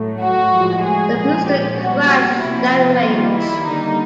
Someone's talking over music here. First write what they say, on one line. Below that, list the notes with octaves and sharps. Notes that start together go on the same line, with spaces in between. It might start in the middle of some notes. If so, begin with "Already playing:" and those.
The booster crashed downrange.
Already playing: A2 F#3 A3
F#4
A2 F3 G#3
G#4
A#2 F3 G#3
G4
B2 G3 A#3 F#4
C3 F3 A#3 E4
F4
D#3 G3 A#3
E4
D3 G3 A#3 D#4